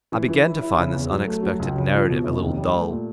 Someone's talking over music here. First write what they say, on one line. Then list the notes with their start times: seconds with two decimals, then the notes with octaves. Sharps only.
I began to find this unexpected narrative a little dull.
0.12 E3
0.28 E3
0.44 E4
0.61 E4
0.78 C#3
0.94 E2
1.10 F#3
1.26 A3
1.43 F#3
1.59 C#2
1.76 C#3
1.92 F3
2.08 B2
2.24 F1
2.40 D#2
2.57 G3
2.74 A3
2.90 A#2